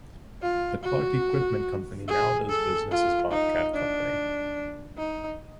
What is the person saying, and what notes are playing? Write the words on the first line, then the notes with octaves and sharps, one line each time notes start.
The Clark Equipment Company now does business as Bobcat Company.
F4
F#4
G#4
A4
F4
D#4
D4
D#4